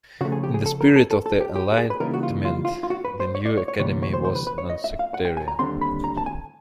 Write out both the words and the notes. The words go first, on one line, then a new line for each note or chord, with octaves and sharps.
In the spirit of the Enlightenment the new academy was nonsectarian.
C#3 F3 A3 F#4
G#4
G4
G#4
A4
A#4
A4
A4
A4
G4
G4
G4
G#4
B4
C#3 E3 G3 A#3 D#4 A#4
F#4
F4
F4
F4
F4
F#4
B4
C5
C#5
D5
C#5
C#5
D2 C3 E3 G3 A#3 C#5
C#5
C5
C5
B4
B4
C#5
D#5
E5
F5
F#5
G5
G#5
A#5
D#2 D3 G3 C4 C6
B5
A#5
A5
G#5